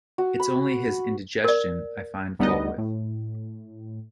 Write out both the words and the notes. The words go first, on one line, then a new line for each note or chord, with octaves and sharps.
It's only his indigestion I find fault with.
F#4
B5
A#4 D5
D2 G3 B3 D#4 D#5
A2